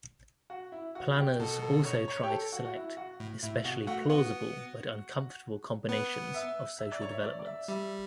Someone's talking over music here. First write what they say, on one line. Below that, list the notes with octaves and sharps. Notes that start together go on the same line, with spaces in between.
Planners also try to select especially plausible but uncomfortable combinations of social developments.
F#4
E4
F#4
G4
B2 A4
A4
C#5
C#5
G4
A4
F#4
F#4
E4
F#4
A2
A2 E4
B2 F#4
A3 F#4
B3 F#4
B3 B4
E5
E5
D5
C#5
E5
D5
D5
E5
G3 E5